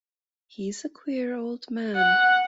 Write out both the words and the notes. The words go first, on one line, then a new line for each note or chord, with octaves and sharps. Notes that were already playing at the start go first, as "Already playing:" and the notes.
He's a queer old man.
F#5